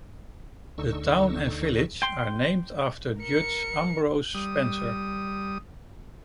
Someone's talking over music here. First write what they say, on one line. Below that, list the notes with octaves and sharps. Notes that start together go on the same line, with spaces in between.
The town and village are named after Judge Ambrose Spencer.
D2 D3 D#4 C#6 E6
G5 C6
A#4 C#7
G3 D#6